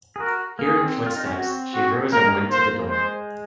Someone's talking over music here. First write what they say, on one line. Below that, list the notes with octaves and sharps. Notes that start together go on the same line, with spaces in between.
Hearing footsteps, she rose and went to the door.
G#4
F#4 A#4
A#3 G#4
C4
F4
D#4
C#4
C4 F#4
F#4
A#3 A#4
G#3
A#3
C5
G#3 C5